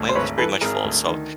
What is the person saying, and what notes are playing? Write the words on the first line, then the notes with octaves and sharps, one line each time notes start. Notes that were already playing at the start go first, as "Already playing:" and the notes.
my week is pretty much full, so
Already playing: D2
C5
G#1 B4 C#5
E3 A4 B4
G#1 G#4 A#4
D2
D#3